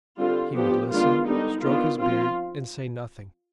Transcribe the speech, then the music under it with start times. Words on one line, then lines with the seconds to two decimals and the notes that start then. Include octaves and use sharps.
He would listen, stroke his beard, and say nothing.
0.18 D3 G3 C4 F4
0.55 F3 B3 D4 G4
0.91 D#3 G#3 B3 D4 F4
1.27 D3 G3 B3 D4 D#4
1.63 D#3 B3 D4 F4
1.99 F3 C4 F4